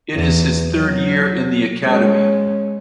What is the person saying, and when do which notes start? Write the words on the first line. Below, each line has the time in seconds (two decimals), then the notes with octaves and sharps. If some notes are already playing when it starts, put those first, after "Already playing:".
It is his third year in the academy.
0.15 E2
0.68 F#3
1.84 G#3 C#4